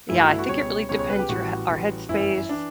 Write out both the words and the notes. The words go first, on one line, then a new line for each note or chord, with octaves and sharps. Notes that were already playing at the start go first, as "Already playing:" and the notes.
Yeah, I think it really depends your h our headspace,
G1 G2 E3 A3 E4
F#4
E4
F#4
C#2 B2 G3 C#5
C#2 B2 G3 C#5
C#5
B4
G4
A1 A2 G3 F#4
A1 A2 G3
G1 F#2 E3 E4
E3 D4